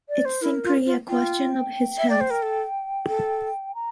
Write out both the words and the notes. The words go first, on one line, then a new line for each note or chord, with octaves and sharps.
It's simply a question of his health.
D5
C5
E4 A#4
F4
F4
F4 G5
E5
D5
C5
A#4
A4
A4
A#5